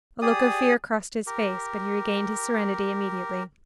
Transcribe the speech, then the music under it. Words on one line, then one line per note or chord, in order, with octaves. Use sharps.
A look of fear crossed his face, but he regained his serenity immediately.
G4 G#4 D5 D#6
G4 A#4